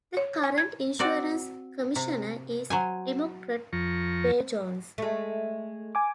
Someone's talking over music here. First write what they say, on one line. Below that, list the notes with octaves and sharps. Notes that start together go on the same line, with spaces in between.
The current Insurance Commissioner is Democrat Dave Jones.
C#5
G#5
G#6
C4 F#4 D5
C3
F#3 C5 G#5
F2 F3 A#5 C#6
G#3 A3
G#5 D6